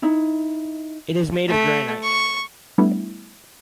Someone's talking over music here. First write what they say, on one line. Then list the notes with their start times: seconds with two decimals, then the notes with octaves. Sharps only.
It is made of granite.
0.02 D#4 E4
1.48 A3
2.03 C#6
2.78 G3 A3 B3 D4 E4